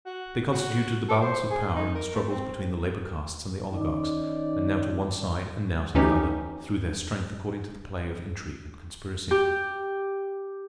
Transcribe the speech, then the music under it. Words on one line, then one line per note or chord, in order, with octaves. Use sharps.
They constituted the balance of power in the struggles between the labor castes and the oligarchs, and now to one side and now to the other, threw their strength according to the play of intrigue and conspiracy.
F#4
F#4
A4
C5
G#4
D#4
A#4
A3
C4
D#3 C#4 D#4 D5
D2 E3 C#4 D#4 G4
G4